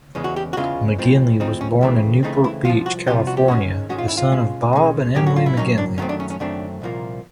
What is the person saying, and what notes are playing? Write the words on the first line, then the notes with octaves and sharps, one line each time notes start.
McGinley was born in Newport Beach, California, the son of Bob and Emily McGinley.
E2 C#3 E3 G#3 C#4
F#4
G4
F#4
E2 C#3 E3 G#3 C#4 F4
A2 F3 G#3 C4
A2 F3 G#3 C4 D#4
C#4
C#2 C#3 E3 A3 C4 D4
C#2 C#3 E3 A3 C4 D#4
E4
C2 C3 F3 F4
F#4
C2 C3 F3 G4
F#4
G4
G#2 D#3 G#3 C#4 F#4
G#2 D#3 G#3 C#4 F#4
F4
E4
F4
B2 G#3 C#4
B2 G#3 C#4
A2 F#3 A#3 C#4 G4
F#4
F4
E4
A2 F#3 A#3 C#4 D#4
D4
F#2 D#3 F#3 A3 C4 C#4
D4
C#4
C#4
F#2 D#3 F#3 A3 C4 D4
C2 A#2 F3 A#3